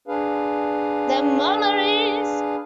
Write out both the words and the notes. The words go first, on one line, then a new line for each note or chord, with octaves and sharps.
The memories!
D4 G#4 B4 F5